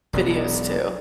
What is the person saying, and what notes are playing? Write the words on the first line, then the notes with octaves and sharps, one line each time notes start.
videos, too.
E1 B1 B3 D4